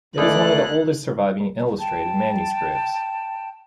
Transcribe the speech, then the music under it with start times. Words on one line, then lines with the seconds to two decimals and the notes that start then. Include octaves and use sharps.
It is one of the oldest surviving illustrated manuscripts.
0.18 C#2 A3 D5 F#6
1.79 G5 A5